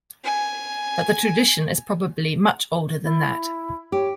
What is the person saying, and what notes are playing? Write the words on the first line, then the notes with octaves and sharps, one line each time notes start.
But the tradition is probably much older than that.
G#5
E4
G4 C#5